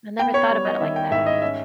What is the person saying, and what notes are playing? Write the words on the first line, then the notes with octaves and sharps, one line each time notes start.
I never thought about it like that.
B3 G5
C#5
G3
D#5
D#3 E5
G5
G#2 E5
D#5
C#4 E5